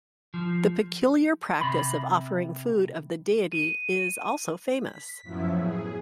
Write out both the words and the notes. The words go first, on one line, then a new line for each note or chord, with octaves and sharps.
The peculiar practice of offering food of the deity is also famous.
F3
C3 B5
D#7
B6
F#2 A2 F3 F#3 B3 E4
G#4